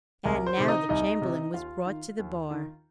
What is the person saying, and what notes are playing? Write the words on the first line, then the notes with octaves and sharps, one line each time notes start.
And now the Chamberlain was brought to the bar.
C2 A#4
C5
C3 D#3
D#4 D#5
C2 D#4 D#5
C3 D#3
D#2 F4 F5
D#3
D#2
D#3